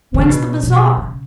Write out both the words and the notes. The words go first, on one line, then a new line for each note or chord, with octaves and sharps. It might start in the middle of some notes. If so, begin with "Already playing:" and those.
'When's the bazaar?'
D3
C#3
B2
B2
C#3